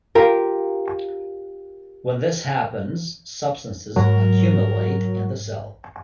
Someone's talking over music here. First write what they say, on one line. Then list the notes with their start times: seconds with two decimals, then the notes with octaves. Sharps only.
When this happens, substances accumulate in the cell.
0.15 F4 G4 A#4
3.96 G#2 F#3 A#4